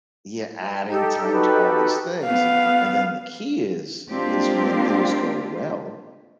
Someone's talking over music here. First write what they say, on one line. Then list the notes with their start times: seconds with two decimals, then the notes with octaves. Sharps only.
Yeah, adding time to all these things, and then the key is is when things go well,
0.88 D#4 G4 A4
1.33 F#4 B4
2.25 B3 F5
4.10 G#3 A#3 C4 D4 F4 G4